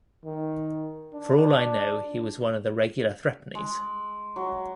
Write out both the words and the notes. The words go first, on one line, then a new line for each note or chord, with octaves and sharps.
For all I know he was one of the regular threepennies.
D#3
D4
G#3
F#3